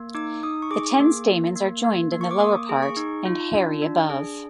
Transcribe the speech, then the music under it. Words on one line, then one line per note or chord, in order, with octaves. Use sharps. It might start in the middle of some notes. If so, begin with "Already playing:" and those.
The ten stamens are joined in the lower part and hairy above.
Already playing: A#3
D#4 D6
D#4 D#6
C#6
G#4 D6
A#3
A#3
A#3
A#3
A#3
C#6
D6
A#3 D#6
G#4
C#6
D#4
F4
D4
D4
G#4